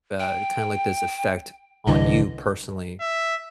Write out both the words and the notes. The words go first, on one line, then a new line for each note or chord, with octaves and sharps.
uh, kinda like this effect on you personally
G5
C2 D3 E3 D#5
E5